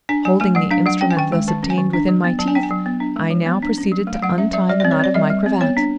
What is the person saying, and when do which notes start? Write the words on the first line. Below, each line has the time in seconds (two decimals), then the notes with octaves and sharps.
Holding the instrument thus obtained within my teeth, I now proceeded to untie the knot of my cravat.
0.09 D4 G#5
0.25 F#3 G#5
0.40 A3 G#5
0.55 F#3 F#5
0.70 D4 F5
0.86 F#3 F#5
1.01 C#4 G5
1.11 G#5
1.17 D#3 G5
1.32 G#3
1.48 D#3 A5
1.63 C#4
1.70 G#5
1.78 D#3
1.93 D4
2.09 F#3
2.24 B3
2.39 F#3 A5
2.48 G#5
2.55 D4 G5
2.63 G#5
2.70 F#3
2.86 B3
3.00 D4
3.16 G#3
3.30 F3
3.46 B3
3.62 D4
3.78 C#4
3.92 F#3
4.07 A3
4.14 F5
4.22 F#3 F#5
4.38 C#4 E5
4.53 F#3 E5
4.69 G3 D5
4.80 C4 D5
4.91 C#5
4.99 C4 D5
5.14 G3 D#5
5.30 G3
5.46 C4
5.61 B3 C#5
5.77 D4